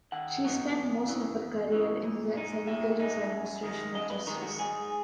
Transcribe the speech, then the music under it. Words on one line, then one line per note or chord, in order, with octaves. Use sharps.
She spent most of her career in the Senegalese administration of justice.
D#3 F#5
F#3 B3 D#4
E2
C#3 E3
E2
C#3 E3
A#2
G#3 D#4
A#2 E5
G#3 D#4
F#2
D#3 G#3
F#2 D#5
B4
D#3 G#3 A#4
F#4
G#2 G#4